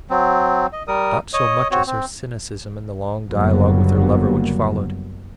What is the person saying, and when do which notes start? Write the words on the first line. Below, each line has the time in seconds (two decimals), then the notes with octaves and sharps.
But not so much as her cynicism in the long dialogue with her lover which followed.
0.10 F#3 C4
0.73 D#5
0.88 G3 A#4 D#6
1.34 C#5 D#5 D#6
1.71 C4 F#4 C#5
1.87 C4
3.30 F#1 D3 F#3 G3 A#3 B3